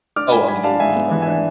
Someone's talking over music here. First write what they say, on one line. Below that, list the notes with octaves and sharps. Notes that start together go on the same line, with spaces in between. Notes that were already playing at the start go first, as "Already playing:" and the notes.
Oh, a movie, okay.
D4 D6 F6
G#2 G#5 B5
D4 G#5 B5
D4 F5 A5
G#2 E5 G#5
B3
E3
E5 G#5
D4